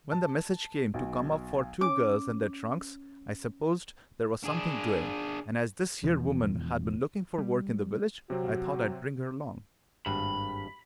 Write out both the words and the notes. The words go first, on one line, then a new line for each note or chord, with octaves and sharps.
"When the message came to come up for two girls and their trunks, I supposed there was something doing, and as this here woman had been looking for work in the village, I thought I'd bring her along."
A5
B1
C#4 D6
D4 G#4
E1 E2 F3
G3
C3 F#3 C4 F#4
G#1 G2 B5